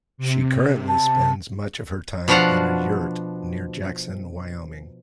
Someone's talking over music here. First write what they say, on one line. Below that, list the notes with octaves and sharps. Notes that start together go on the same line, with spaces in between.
She currently spends much of her time in a yurt near Jackson, Wyoming.
C3
A5
B2 F3 D4 F#4 F5 F#5